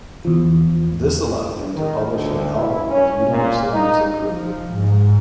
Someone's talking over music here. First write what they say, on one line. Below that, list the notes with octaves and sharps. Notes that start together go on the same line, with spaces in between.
This allowed him to publish an album with Universal Music Group.
E2 F3
D#3
D2
E4
C#4
A#2
D#4
F3
G#2